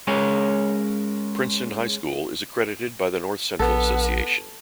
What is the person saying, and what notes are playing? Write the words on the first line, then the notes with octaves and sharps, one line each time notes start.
Princeton High School is accredited by the North Central Association.
G#3 C#4 A#4 C#5
A#1 B3 A4